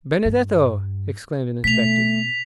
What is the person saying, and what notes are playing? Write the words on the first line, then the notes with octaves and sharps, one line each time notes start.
"Benedetto!" exclaimed an inspector.
G2
B2 A3 B6 F7